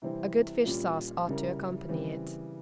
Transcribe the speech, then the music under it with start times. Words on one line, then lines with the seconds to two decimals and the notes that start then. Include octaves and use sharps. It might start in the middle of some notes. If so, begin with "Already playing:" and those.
A good fish-sauce ought to accompany it.
0.02 C3 E3 G3 C4 E4
0.64 A#2 G3 C#4 F4
1.27 C#3 G3 C#4 E4 A#4
1.89 C#3 E3 G3 C4